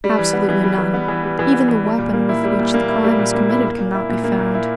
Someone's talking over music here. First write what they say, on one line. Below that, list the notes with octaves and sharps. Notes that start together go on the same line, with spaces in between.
"Absolutely none; even the weapon with which the crime was committed cannot be found."
G3
E3
B3
E3
G3
E3
B3
E3
G3
E3
B3
E3
G3
A#2
A#3
E4
G3
A#2
A#3
E4
G3
A#2
A#3
E4
A#3
A#2
E4
A#2
A#3
A#2
E4